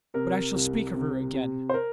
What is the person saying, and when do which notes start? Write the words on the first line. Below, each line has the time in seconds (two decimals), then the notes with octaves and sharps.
But I shall speak of her again.
0.14 C3 A#4
0.54 C2
0.94 C3
1.34 C3
1.70 C5
1.74 A#4